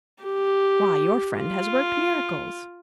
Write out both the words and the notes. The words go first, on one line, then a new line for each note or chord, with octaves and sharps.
"Why, your friend has worked miracles."
G4
F4